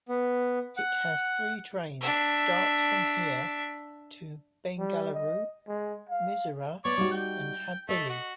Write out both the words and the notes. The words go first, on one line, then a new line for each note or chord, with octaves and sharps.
It has three trains starts from here to Bengaluru, Mysuru and Hubballi.
B3
F#5
D4 E5
G3
D#5
G#3
F5
B3 C#5 D5
G3 D#4 F#4
G5
A3 D#5
F#4